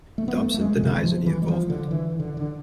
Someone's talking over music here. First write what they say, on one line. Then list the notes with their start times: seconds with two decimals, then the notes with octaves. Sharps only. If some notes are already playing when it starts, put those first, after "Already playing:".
Dobson denies any involvement.
0.18 A3
0.28 B3
0.37 A3
0.54 A3
0.61 G#3
0.76 B2
0.83 C3
0.90 D3
0.97 E3
1.04 F3
1.26 E3
1.42 G#3
1.48 F3
1.70 D3
1.91 E3
2.20 D3
2.37 D3